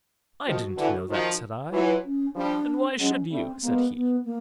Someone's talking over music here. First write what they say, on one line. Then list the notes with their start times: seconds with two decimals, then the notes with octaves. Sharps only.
'I didn't know that,' said I. 'And why should you?' said he.
0.46 D#3 F3 F#4
0.77 D3 E3
1.09 D#3 F3
1.72 E3 F#3 F4
2.04 C#4
2.35 F3 G3 D4
2.99 F#3 G#3 C#4
3.30 G3 A3 C4
3.62 G#3 A#3 B3
3.94 B3
4.25 A#3